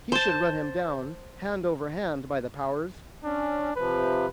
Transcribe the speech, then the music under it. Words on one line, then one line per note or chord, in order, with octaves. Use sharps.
He should run him down, hand over hand, by the powers!
C5 A5
C#4 D4
C3 F3 B4